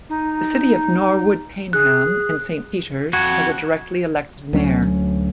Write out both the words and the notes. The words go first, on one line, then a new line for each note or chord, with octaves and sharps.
The City of Norwood Payneham and Saint Peters has a directly-elected mayor.
D#4
G#4 F#6
F2 F#4 G#6
D2 F#3 C#4